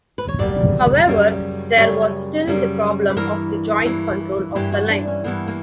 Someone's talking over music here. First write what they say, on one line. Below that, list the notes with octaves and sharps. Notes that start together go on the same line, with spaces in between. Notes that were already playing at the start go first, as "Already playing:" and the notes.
However, there was still the problem of the joint control of the line.
B4
C#5
F#2 C#3 G3 A#3 D5
F#2 C#3 G3 A#3
F#2 C#3 G3 A#3 C#5
F#2 C#3 G3 A#3
B4
G2 E3 A#3 A#4
G2 E3 A#3
G2 E3 A#3 G4
F#4
D4
C#4
G2 E3 A#3 B3
A#3